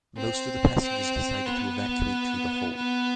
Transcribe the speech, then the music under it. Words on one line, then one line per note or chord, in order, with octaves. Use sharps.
Most of the passengers decided to evacuate through the hole.
C4
C4
B3
B3